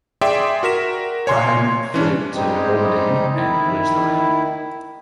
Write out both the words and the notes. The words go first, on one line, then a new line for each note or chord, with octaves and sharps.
Trahern fled to Albany and pillaged the land.
G#4 D5 E5 G5 C6 D6
F#4 A#4 B6 E7
C#5 G#5 C6
E3 C#4 D4
G3 G#3 C4 D#4 G4
D#3 E4